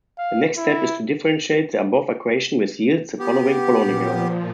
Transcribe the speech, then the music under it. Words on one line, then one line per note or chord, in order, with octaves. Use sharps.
The next step is to differentiate the above equation which yields the following polynomial.
F5
E4
B3 G4
A#2 F3